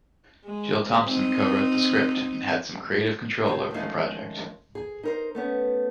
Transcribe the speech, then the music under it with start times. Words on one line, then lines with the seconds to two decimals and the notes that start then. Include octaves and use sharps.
Jill Thompson co-wrote the script, and had some creative control over the project.
0.45 G#3
1.03 C4 D#4
3.47 A2 C4 F#4 C#5 G5 A5
3.74 D#3 F3 G#3 A3 C#4 D#4
4.75 G#4
5.03 D#4 A#4 C5
5.35 A3 B3 C#4